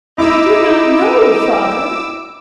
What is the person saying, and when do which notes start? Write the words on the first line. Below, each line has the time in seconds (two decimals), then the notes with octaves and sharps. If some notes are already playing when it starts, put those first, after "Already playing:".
"But I do not know, Father!"
0.18 D#4 E4 D6 E6